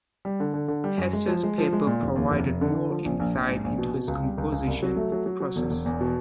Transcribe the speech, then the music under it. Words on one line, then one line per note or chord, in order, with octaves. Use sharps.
Hester's papers provide more insight into his composition process.
G3
D3
D3
D3
G3
F#2
G#3
F3
G#3
F3
G#3
A#2
F1
D#2
F1
F1
D3
D3
F3
A#1
A#1
A#1
G#2
A#1
B2
B2
C#2
G3
C#2
C#2
C2
F#3
A3
F#3
F#3
F#3
E1
E1
E2
B2